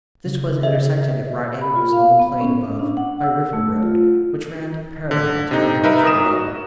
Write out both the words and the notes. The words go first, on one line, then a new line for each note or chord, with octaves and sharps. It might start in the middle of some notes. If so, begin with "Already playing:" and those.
This was intersected at right angles on the plain above by River Road, which ran parallel to the waters below.
C#3
D#5 E5
B5
F4
F5
B3
C#4
D4
F#5
E6
A3
F4
D3
C3 D#4
D#4 A#4 B4 E5
G1 A#4 D#6 E7
F#4